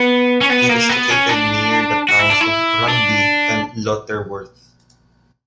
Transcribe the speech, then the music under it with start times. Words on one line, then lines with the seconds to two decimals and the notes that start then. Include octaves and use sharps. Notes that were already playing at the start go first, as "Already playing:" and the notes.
It is located near the towns of Rugby and Lutterworth.
Already playing: B3
0.41 C#4
0.50 B3
0.69 A#3
0.89 B3
1.10 C#4
1.29 D4
2.09 F#4
2.19 E4
2.30 D4
2.41 E4
2.88 D4